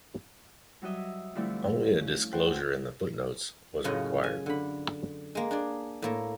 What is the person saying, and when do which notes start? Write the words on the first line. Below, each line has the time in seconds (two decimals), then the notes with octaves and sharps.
Only a disclosure in the footnotes was required.
0.82 F#3 G3 F#4 D#5 E5
1.35 D3 F3 G3 A3 C4 E4
2.00 C#4
2.33 F#4 A4 C5 F#5 G5
3.84 F#2 A2 C#3 F4 D#5 F#5
4.24 G#5
4.46 D3 B5
5.35 G#3 A#3
5.51 D4 G#4 D5
6.02 A2 A#3 A4